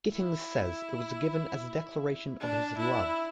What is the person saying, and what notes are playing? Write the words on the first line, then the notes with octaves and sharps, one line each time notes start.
Gittings says it was given as a declaration of his love.
E4
D4
E4